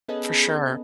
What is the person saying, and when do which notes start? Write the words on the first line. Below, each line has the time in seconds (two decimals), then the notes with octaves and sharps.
For sure.
0.08 B3 C#4 G#4 A4 B4 D#5